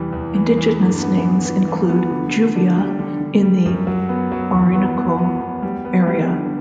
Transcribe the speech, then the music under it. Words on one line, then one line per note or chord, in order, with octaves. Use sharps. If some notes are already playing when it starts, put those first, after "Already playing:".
Indigenous names include "juvia" in the Orinoco area.
Already playing: E2 C3 E3 G3
E2
E3
E3
G2
B3
E3
E3
E3
B3
D3
D3
D4
G3
D3
D3
G3
F#2
F#3
B3
F#3
E2
B3
B3
B3
B3
G3
B3
G3
D3